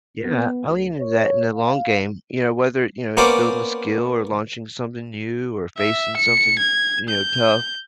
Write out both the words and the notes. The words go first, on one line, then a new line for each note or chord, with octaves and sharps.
Yeah, I lean into that in the long game, you know, whether, you know, it's building a skill, or launching something new, or facing something, you know, tough,
B3
D2
C#5
F5
A#3 B3 C#4 C5 D5
E5
C#7
G#6
G6